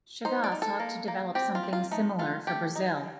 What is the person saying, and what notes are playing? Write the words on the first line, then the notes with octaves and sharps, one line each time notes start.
Chagas sought to develop something similar for Brazil.
D#4 C5
D5
D#4
A4
A#3
A#3
C4 G4
F4
C4
F4
A3 D#4
A3 F4
A3 G4
D#4
G3